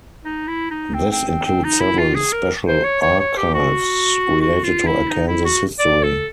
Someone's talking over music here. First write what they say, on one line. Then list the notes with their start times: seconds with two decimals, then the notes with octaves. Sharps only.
This includes several special archives related to Arkansas history.
0.25 D#4
0.48 E4
0.70 D#4
0.94 C4
1.12 C4
1.28 C4
1.46 C4
1.64 D#4
1.80 E4
1.98 F4
2.15 G#4
2.33 A#4
2.68 C5
2.84 C#5
3.02 C#5
3.20 C#5
3.37 G4
3.54 F#4
4.41 F#4
4.64 F4
4.87 E4
5.10 D#4
5.28 E4
5.45 F#4
5.79 D5
6.03 A4